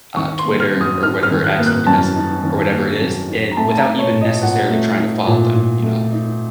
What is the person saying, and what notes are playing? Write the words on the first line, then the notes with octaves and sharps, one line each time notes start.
uh, Twitter, or what or X, I guess, or whatever it is, and without even necessarily trying to follow them, you know?
D#3 C#6
C6
A#3
F6
F#2
D#6
D#4 F6
F6
D#3
F#6
A#3
F#6
F#2 A5
D#4
D#3
A#3
F#2
D#4
A#5
A3 A5
A5
A#5
D#4
C#5
A#2
D#5
A#2 F#5
A3
D#4
A#2
A#2
A3
D#4